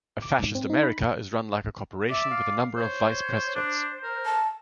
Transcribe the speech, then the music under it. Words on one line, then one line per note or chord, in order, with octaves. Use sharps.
A fascist America is run like a corporation with a number of vice-presidents.
D6
G#2
C4
D#4
B5
D5 E5
F5
C5 C#5
D4 C5
A#4
A5